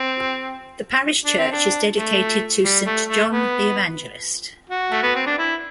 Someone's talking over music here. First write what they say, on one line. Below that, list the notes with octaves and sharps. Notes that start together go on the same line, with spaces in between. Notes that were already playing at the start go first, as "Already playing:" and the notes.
The Parish Church is dedicated to Saint John the Evangelist.
Already playing: C4
D4
C4
D4
A3
G3
A3
A3
B3
F#4
A3
B3
C4
D4
E4